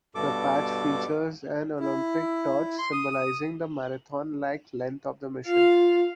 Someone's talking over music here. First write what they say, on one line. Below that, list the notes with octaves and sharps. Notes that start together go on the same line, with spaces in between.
The patch features an Olympic torch, symbolizing the marathon-like length of the mission.
G2 B2 A4 D6
E4
C6
D#6
D#6
F4 F5